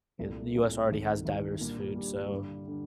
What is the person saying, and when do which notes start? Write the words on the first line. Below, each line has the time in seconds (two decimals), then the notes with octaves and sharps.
eh, the US already has diverse food, so,
0.19 C2 A#2 A3
0.55 C2 A#2 A3
0.90 C2 C3 D#3 A3
1.24 C2 C3 D#3 A3
1.60 A#2 G3 A#3 D4 G4
1.95 A#2 G3 A#3 D4 G4
2.31 G2 D3 G3
2.67 D3 G3